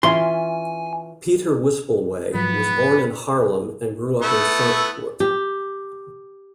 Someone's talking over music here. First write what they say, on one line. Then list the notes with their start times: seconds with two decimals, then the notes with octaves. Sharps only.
Pieter Wispelwey was born in Haarlem and grew up in Santpoort.
0.03 E3 C#4 F4 G#5 C6
2.34 G#2 F3 F#3 B3 B4
4.22 A3 B3 E4
5.20 G4